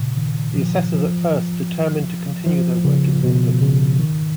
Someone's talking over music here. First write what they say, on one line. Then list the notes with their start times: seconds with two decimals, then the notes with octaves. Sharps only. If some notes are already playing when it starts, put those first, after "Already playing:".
The assessors at first determined to continue their work in Milford.
Already playing: A#2 C#3
0.17 D#3
0.55 F3
0.94 F3
2.46 F3
2.85 C#3
3.24 B2
3.61 C#3
3.99 D#3